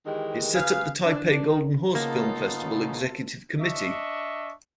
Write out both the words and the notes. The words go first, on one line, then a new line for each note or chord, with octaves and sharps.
It set up the Taipei Golden Horse Film Festival Executive Committee.
D#3 E3 G#3 G4 A#4
G#4 B4 F5
D4
D#3
C#3 A#3 B3 D#4 F4 A4
D4 D#5 E5 C#6